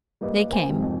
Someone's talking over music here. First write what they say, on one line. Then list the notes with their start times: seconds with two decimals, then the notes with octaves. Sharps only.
They came.
0.21 G3 A#3 G4 B4 D#5
0.50 A#4 C5 G5 G#5
0.69 G#2 C3
0.82 F2